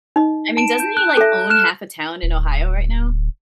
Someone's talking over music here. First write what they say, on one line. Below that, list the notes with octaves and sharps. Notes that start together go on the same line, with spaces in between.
I mean, doesn't he like own half a town in Ohio right now?
D#4 D#5
A5 D7 E7
G6
F#6
A4 E5
F6 F#6 E7
D1